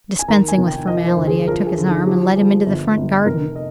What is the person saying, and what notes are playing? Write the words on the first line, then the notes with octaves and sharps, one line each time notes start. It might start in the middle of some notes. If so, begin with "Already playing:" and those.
Dispensing with formality, I took his arm, and led him into the front garden.
G#5
D#2 A#5
G#5
F1
G5
F3 D#5
C5
D2
G#4
F3 A#4
G#4
D3
D#4
F3 G4
F3 G#4
G1
G1
F1 A#4
D#5